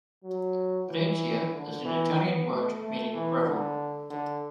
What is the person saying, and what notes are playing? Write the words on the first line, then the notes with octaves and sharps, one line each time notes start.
Breccia is an Italian word meaning "gravel".
F#3
E3
D3
E3
B3
A3
A3
E3
D3
D3